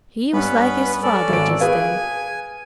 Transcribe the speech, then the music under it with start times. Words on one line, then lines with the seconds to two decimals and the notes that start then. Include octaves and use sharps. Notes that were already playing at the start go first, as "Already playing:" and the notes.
He was like his father just then.
0.33 G2 B3 C#4 B4
1.03 C#4 A4 D5
1.30 G#1 D7
1.60 G#4 B4 F5 G#5